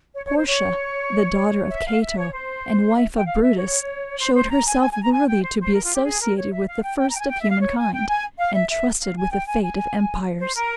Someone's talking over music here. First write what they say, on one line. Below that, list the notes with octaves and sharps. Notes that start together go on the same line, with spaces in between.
Portia, the daughter of Cato, and wife of Brutus, showed herself worthy to be associated with the first of human kind, and trusted with the fate of empires.
C#5
C#5
C5
C#5
E5
F5
E5
C#5
C5
E5
G5
F5
E5
C#5
C5
C5
A#5
G#5
G#5
G#5
A#5
G#5
G5
C5
C5
A#4
F4
G4
G#4
A#4
C#5
E5
F5
G5
G5
A#5
G5
G#5
G5
E5
F5
C#5
G#5
G5
G#5
F5
E5
E5
F5
G#5
G5
G#5
G#5
C5
A#4